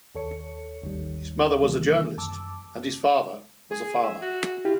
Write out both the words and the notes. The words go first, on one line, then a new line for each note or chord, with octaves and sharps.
His mother was a journalist and his father was a farmer.
D#2 A4 C#5 C#7
G#1 D#2 D#3 G3
C3 D#3 E3 G3 A#3
F#2 A5 D6 E6
G#4
E5
F#4
E4 F4 G4